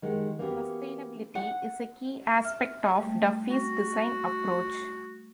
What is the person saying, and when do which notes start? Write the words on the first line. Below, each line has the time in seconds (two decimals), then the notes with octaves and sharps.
Sustainability is a key aspect of Duffy's design approach.
0.02 D#3 G#3 G4 F#5
0.38 E3 A#3 B3 C#4 F#4 G4
1.35 F#5
2.45 E5 F6
3.00 G3 A3
3.49 F#4